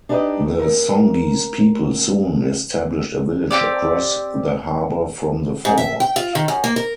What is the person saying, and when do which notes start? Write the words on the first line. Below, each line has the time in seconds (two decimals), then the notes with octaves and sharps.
The Songhees people soon established a village across the harbour from the fort.
0.09 D4 D#4 G4 A#4 B4 D#5
0.59 A#4
3.51 C4 D#4 G4 D5
5.65 G#2
5.78 E5
6.00 G5
6.16 F4
6.35 D#3
6.48 F#2
6.64 A#3
6.76 A#4